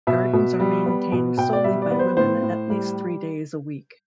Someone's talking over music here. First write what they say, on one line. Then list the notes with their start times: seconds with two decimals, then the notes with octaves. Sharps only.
Gardens are maintained solely by women, at least three days a week.
0.07 B2 E5
0.33 B2
0.60 G3
0.86 B3
1.12 B2
1.37 B2 G5
1.53 D5
1.64 G3 E5
1.82 D5
1.91 B3
1.99 C5
2.17 A2 C5
2.42 A2
2.70 G3